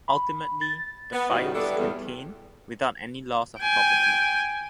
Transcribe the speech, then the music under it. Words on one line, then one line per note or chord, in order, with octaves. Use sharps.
Ultimately, the fire was contained without any loss of property.
B5
A6
B3
A2 D#3 F#3 G3 F#4 D#5
G3 B3 D4 E4 A4
E2 G3
G5 G#5